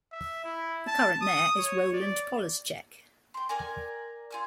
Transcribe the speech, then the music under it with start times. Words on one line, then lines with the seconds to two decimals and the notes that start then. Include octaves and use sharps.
The current mayor is Roland Polaschek.
0.12 E5
0.44 E4
0.87 A5
1.21 D#6
1.58 C#5
1.93 D5
3.34 G5 C6
3.49 A#4 D5 G#5
4.31 F4 G#5 E6